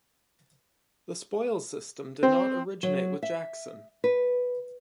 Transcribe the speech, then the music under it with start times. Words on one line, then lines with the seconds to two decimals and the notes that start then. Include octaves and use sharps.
The spoils system did not originate with Jackson.
2.23 C4
2.83 F#3
3.23 E5
4.04 B4